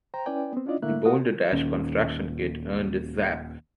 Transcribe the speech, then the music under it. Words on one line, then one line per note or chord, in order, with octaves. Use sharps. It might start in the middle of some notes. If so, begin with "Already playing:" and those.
The Boulder Dash Construction Kit earned a Zzap!
C5 G5 A#5
C#4 E4 B4 D5 G5 G#5
B3 C4
C#4 D4 E4 F4 D5 D#5
D3 A3 A#3 E4 E5 F#6
F#4 B4 F5 F#5 D#6
D#1 D#2 C#4